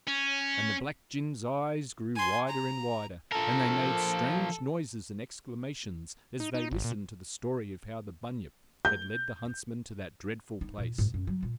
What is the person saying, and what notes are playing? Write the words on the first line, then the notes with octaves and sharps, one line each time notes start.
And the Black gins' eyes grew wider and wider, and they made strange noises and exclamations, as they listened to the story of how the "Bunyip" had led the huntsmen to that dreadful place.
C#4
G#5 C6
A#5
F3 A4 A#4
D#4
D#4
G#1
A#2
G6
D#4
A#2
G#2
F#2
F#3
A#2